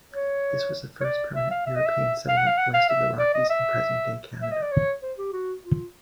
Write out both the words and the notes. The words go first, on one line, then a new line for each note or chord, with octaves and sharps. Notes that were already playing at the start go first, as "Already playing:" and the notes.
This was the first permanent European settlement west of the Rockies in present-day Canada.
C#5
C#5
D5
E5
F5
E5
D#5
E5
F5
F#5
F5
F#5
F5
E5
D5
D#5
E5
E5
D#5
D5
C#5
C5
G4
F#4
F4